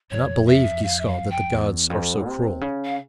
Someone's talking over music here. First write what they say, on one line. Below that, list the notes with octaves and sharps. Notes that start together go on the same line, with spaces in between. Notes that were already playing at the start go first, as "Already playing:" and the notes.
I cannot believe, Giscon, that the gods are so cruel.
F2 C#5
E5
F5
E5
F5
G5
E2
F2
C3
C#3
F5